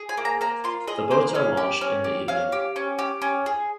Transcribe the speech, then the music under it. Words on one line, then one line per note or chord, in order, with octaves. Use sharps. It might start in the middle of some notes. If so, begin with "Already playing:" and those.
The boats are launched in the evening.
Already playing: G#4
G#5
A#3
A#5
A#3 A#5
F4 C6
G#4 D#5
A#3 C5
C#4 F5
G4
C#4
G4
C#4 F5
G4
C#4
G4
C#4
G#4